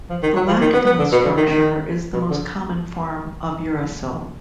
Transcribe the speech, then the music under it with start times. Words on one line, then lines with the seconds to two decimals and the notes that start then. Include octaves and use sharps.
The lactam structure is the most common form of uracil.
0.10 F3
0.23 D#3
0.36 F#3
0.48 F3
0.61 D#3
0.73 B3
0.86 B3
0.99 D3
1.12 B2
1.24 D3
1.37 D#3
1.49 D#3
2.13 B2
2.30 D3